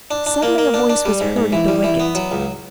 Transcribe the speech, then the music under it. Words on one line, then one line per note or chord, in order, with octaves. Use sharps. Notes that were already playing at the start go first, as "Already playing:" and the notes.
Suddenly a voice was heard at the wicket.
D4
D4
A#3
A#3
D4
D4
G3
G#2
G#2
E3
G3
E3
B3
F#3
C#2